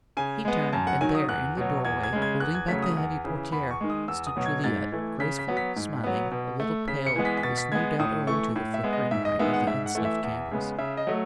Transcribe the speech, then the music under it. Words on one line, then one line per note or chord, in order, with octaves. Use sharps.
He turned, and there in the doorway, holding back the heavy portiere, stood Juliette, graceful, smiling, a little pale, this no doubt owing to the flickering light of the unsnuffed candles.
C#3 G#5
G#3 B3
F#2 A5
F#5
D#3 F#3 G#5
D#6
E2 F#6
B2 F#3
E2 G#6
G#6
C#3 G#3
G#6
E2 F#6
G#6
C#3 F#3 A3 B6
D#6
E2
C#3 E3
E2 B5
C#6
D#3 G#3
D#6
E2 E6
D#6
B2 F#3 B3
G#6
G#2 A6
E3 A3
C#3 B6
B6
F#3 B3
B6
G#2
F#3 B3
B2
A3
C#3 B6
C#7
E3 G#3 B3
B6
B6
B2 A6
B6
G#3 B3 G#6
A2 D#6
E3 A3 C#6
A2
E5
G#3 B3
D#5
G#2 E5
D#5
D#3 G#3 B3 E5
F#5
G#2 E5
F#5
E3 A3
E5
E2
C#3 G#3 B3
C#3 E5
D#5
F#3 A3